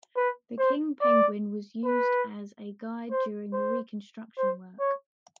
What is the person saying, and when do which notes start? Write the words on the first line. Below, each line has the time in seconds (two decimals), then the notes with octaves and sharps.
The king penguin was used as a guide during the reconstruction work.
0.17 B4
0.59 C5
1.01 D5
1.85 B4
3.11 C5
3.53 C5
4.38 C5
4.79 C#5